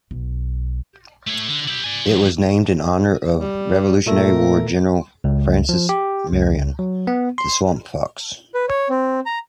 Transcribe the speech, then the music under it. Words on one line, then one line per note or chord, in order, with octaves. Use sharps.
It was named in honor of Revolutionary War General Francis Marion, the "Swamp Fox".
B1
A3 C#5
D3
E4 G4
D5 G#5
F3 F#3
G3
A#2 A3 A4 A#4
C#2
F3
G4
C#2
F#3
B3
C6
B4
C#5
C4
A#5